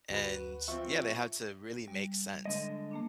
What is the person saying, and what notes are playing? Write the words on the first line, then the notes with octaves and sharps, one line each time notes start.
and, yeah, they have to really make sense,
D2 F#4 B4
F3 C4 E5 C#6
G3
D3 G#3 D#5
A3 A#3 D4